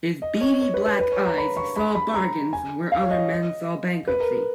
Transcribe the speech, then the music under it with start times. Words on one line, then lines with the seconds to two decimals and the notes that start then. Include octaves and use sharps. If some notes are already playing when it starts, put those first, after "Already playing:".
His beady black eyes saw bargains where other men saw bankruptcy.
0.22 D#5
0.41 C#5
0.61 C#5
0.74 B4
0.86 B4
0.99 B4
1.12 C#5
1.25 A#5
1.37 B5
1.57 C#6
1.76 B5
1.95 B5
2.14 A#5
2.53 G#5
2.92 F5
3.02 C#5
3.11 D#5
4.07 B4
4.20 A#4